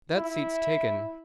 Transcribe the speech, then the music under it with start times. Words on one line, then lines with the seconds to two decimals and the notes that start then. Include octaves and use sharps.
That seat's taken.
0.16 E4